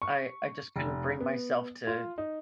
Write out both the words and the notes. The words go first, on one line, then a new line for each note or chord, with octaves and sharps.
I I just couldn't bring myself to
C#6
F1
B3
F4
D#4